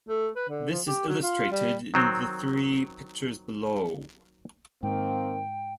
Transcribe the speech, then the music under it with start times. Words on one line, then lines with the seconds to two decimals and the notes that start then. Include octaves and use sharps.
This is illustrated in the three pictures below.
0.09 A3
0.36 B4
0.49 D3
0.70 F3
0.87 G4
1.08 F#3
1.23 F4
1.52 G3
1.94 D#3 F#3 C4
4.83 G#2 D#3 A#3 C4 G5